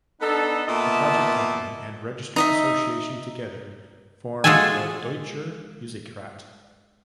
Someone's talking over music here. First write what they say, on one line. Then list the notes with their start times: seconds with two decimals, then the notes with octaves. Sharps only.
The project company and registered association together form the Deutscher Musikrat.
0.21 B3 D4 D#4 A4
0.68 A#2 B3 D4 D#5 E5 A5
2.36 D#4 D#5 E5
4.44 G#3 F4 F#4 G#4 A4 G#5